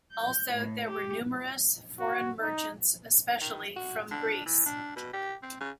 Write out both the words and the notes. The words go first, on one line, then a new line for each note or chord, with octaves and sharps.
Also, there were numerous foreign merchants, especially from Greece.
G6
A2
G4
F#4
D#4
D#3
F#4
D4
E3
D4
B2
G4
C4
C#3